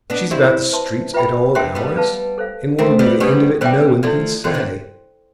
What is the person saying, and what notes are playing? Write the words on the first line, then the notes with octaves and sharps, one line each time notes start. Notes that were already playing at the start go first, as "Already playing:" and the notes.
She's about the streets at all hours, and what'll be the end of it no one can say.
B3 D4
C4 E4 G4 D5 F5 C6
B4 E5 A5 C6
F4 B4 E5 G5 B5
B3 D4 C5 E5 G5 C6
G3 B3
B4 F5 A5
A4 C5 F5
A3 C4 A4 E5 G5 C6
G3 B3
G3 B3 D4 G4 D5
G3 B3 C5 E5 G5
F3 A3 E4 A4 D5
D3 F3 C5 G5 C6
C3 E3